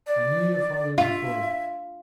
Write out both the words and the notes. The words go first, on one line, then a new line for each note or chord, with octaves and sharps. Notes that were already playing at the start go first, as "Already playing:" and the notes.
I knew your father before you.
D5
F4 E5